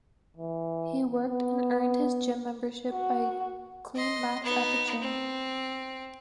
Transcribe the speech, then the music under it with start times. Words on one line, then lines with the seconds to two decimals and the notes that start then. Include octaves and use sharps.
He worked and earned his gym membership by clean mats at the gym.
0.37 E3
1.26 B3
2.92 F#4
3.96 D#5 C6
4.44 B3 D#4
5.02 C4